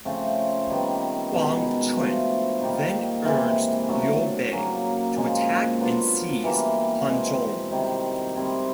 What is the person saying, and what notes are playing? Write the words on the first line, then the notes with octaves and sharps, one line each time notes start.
Huang Quan then urged Liu Bei to attack and seize Hanzhong.
C#3 F3 A3 C4
D#3 G3 B3
B2 G#3 B3 D#4
F3 A3 D4 F#4
D#3 G3 A#3 D#4
C3 E3 G#3
F#3 A3 D4
C#3 F#3 A#3 C#4
A#2 F3 G#3
F#3 B3 D4 F4
E3 G3 A#3
B2 G#3 C4
C3 D#3 G3
G3 C4 E4